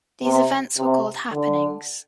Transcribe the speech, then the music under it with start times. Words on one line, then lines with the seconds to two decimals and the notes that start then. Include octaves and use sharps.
These events were called "happenings."...
0.22 C3
0.77 C3
1.31 D3